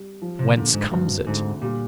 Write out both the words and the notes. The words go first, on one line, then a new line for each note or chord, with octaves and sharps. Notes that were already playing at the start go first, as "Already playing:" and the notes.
Whence comes it?
Already playing: G3
F3
C3
A#2 D3
G#2
D2 G2
G#2 D3
A#2 G3